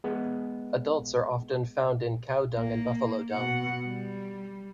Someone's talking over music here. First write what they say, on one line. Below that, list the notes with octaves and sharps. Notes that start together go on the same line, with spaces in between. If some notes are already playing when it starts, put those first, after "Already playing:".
Adults are often found in cow dung and buffalo dung.
G#3 B3
A#3
B2 F#5
G3